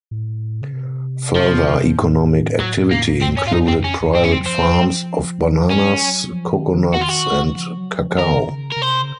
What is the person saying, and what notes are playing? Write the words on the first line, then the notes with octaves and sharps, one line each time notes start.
Further economic activity included private farms of bananas, coconuts, and cacao.
A2
C#3
C3
F3
A#2
A2
F#3
A#3
F#2 C4
A2
F#2 C#4
A2 F4
F#2 D#4
C4
F2 C#4
F2
F#2
C4
A2
F#2 C#4
C4
F#3
F3 C4
F#3 C#4
F#3
F3
D#3
D#3
D#3 F#4
F4
F#4
C#3
F3
F#3
F3
D#3 A#4
C#3
C#3 A#4
C3 C5
C#3